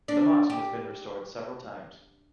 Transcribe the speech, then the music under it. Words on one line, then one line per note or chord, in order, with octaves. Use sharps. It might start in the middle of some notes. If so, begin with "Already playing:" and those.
The mosque has been restored several times.
D4
G4